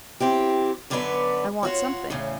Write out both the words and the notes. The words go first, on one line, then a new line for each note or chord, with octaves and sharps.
I want something.
C4 E4 G4
F#2 D3 F#3 B3 B4 D5
F4 F#4 C#5
E2 A2 C#3